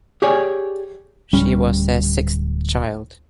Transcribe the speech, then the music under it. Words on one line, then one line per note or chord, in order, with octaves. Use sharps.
She was their sixth child.
G4 G#4 C#5 D5 G#5
D1 G3 C#4